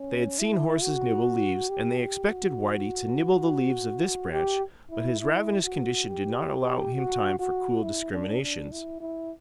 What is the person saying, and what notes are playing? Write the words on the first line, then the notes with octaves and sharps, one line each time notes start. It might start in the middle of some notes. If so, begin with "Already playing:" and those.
They had seen horses nibble leaves, and they expected Whitey to nibble the leaves of this branch; but his ravenous condition did not allow him time for cool discriminations.
Already playing: C#4
E4
F#4
G4
G4
F#4
G4
E4
E4
F#4
G4
F#4
F#4
E4
D4
D4
E4
E4